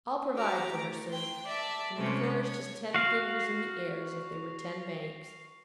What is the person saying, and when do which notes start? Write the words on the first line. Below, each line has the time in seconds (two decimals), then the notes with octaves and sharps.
'I'll provide for her, Sir!' and he flourished his ten fingers in the air, as if they were ten banks.
0.37 F#4 G4 A#5 D6
0.76 A3
1.09 G5 C6
1.45 D5 E5 A5
1.96 C3 F#3 G#3 A3 C#4 B4
2.44 C#5
2.94 F#4 F5